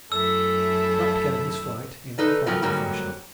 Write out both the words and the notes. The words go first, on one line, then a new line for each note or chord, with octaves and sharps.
Pratt began his flight in methodical fashion.
F#2 A3 E4 A4 E6
D4 D#4 A4 B4
C#3 F3 F#3 A3 A#3 C4
G#2 D3 F#3 G3 A#3 C4